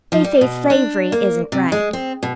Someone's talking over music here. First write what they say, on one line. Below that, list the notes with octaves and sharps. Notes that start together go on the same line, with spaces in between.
"They say slavery isn't right."
F3
G3
B2
D4
A#3
C3
G#3
C4
B2